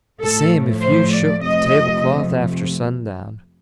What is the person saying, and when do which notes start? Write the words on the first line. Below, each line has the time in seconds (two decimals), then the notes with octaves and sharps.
The same if you shook the table-cloth after sundown.
0.19 A2 F3 A3 A4
0.82 C5
1.13 D5
1.44 F2 C3 F3 A3 D#5